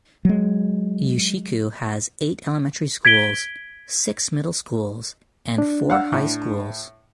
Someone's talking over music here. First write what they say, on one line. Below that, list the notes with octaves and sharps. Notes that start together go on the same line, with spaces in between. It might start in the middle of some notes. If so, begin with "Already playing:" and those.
Ushiku has eight elementary schools, six middle schools, and four high schools.
F#3 G#3
G#6 B6 D7 G7
D4
F5 F#5 E6
A2